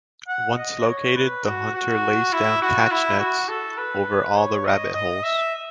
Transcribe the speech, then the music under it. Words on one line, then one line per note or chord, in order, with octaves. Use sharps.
Once located the hunter lays down catch-nets over all the rabbit holes.
F#5
D#5
C#5
B4
F#4
F#4
E4
F#4
E4
F#4
A4
B4
C#5
D#5
D#5
E5